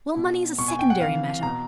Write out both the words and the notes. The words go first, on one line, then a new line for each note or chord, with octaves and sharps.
Well, money is a secondary matter.
B2
B2 C#6
G#5
G5
F#5
C3 E3 F5
B2 A#5